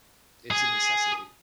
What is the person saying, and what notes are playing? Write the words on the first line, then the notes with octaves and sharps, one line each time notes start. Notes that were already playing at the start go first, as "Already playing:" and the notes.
it's a necessity.
G#4